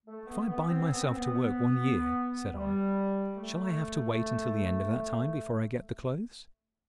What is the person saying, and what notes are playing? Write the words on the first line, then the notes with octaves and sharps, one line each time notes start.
"If I bind myself to work one year," said I, "shall I have to wait until the end of that time before I get the clothes?"
A3
B3
B3
C4
B3
C4
B3
G3
A3